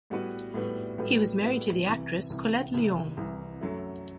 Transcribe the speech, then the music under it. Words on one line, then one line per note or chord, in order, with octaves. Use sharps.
He was married to the actress Collette Lyons.
A2 G3 B3 F#4 B4
A2 G3 B3 F#4 B4
A2 G3 B3 F#4 B4
A2 G3 B3 F#4 B4
C2 C3 E3
C2 C3 E3
C2 C3 E3
C2 C3 E3
F#2 F#3 A3